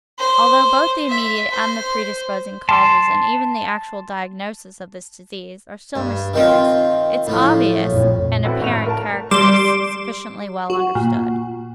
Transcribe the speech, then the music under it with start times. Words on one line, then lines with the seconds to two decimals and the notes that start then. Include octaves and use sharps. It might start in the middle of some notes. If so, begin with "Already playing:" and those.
Although both the immediate and the predisposing causes, and even the actual diagnosis, of this disease are still mysterious, its obvious and apparent character is sufficiently well understood.
0.19 C5
1.09 E5
1.51 C5
2.69 A5 C6
5.96 G2
6.34 D#3 C4 F4
7.27 A2 F3 E4
7.86 A#1 F2 C#5
8.44 C4 E4 F#4 A4 B4
8.60 G#1 A2 A3 F7
8.86 A#4 A5
9.31 G3 C6 D6 E7
10.70 F#4
10.95 A#2